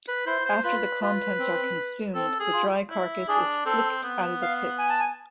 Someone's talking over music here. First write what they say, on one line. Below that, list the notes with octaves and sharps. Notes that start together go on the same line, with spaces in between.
After the contents are consumed, the dry carcass is flicked out of the pit.
B4
E4 C5
C5
F4 B4
F4 B4
C4
C4 A4
G#4
F4
E4
D4 G#4
C4 A4
B3
F5
G#5
A5
G#5